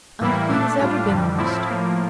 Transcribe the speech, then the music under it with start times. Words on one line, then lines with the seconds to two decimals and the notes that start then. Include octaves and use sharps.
And he has ever been honest.
0.21 A2 E3 G3 A#3 E4
0.50 A#2 A3 D4
0.79 A2 G3 D4 F4
1.08 F2 D3 G3
1.38 A2 F3 C4 E4
1.67 A2 F3 A#3